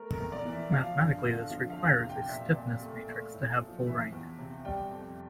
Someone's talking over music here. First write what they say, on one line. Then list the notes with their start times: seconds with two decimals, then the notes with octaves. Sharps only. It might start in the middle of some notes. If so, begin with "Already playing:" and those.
Mathematically, this requires a stiffness matrix to have full rank.
Already playing: A3 A#4
0.13 A#4
0.20 E2
0.32 D5
0.45 E3
0.53 E5
0.72 F3 F5
0.98 G2
1.24 D3
1.50 F3 F5
1.70 F5
1.76 F2
1.90 F5
2.02 C3
2.10 G5
2.28 A#2 E5
2.56 A#2
2.81 A3
3.08 A3
3.34 A2
3.59 F3
3.86 E3 E5
4.12 E2
4.38 C3
4.65 G3 G5
4.91 F2